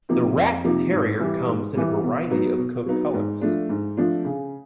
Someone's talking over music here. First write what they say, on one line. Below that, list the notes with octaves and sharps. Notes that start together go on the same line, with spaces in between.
The Rat Terrier comes in a variety of coat colors.
C3 F3 A#3 D#4
F2
C3 F3 A#3 D#4
G#2
E3 G3
G#2
E3 G3
B2
F#3 B3 D#4
B2
F#3 B3 D#4
G#2
F3 A3 D4
G#2
F3 A3 D4
C#3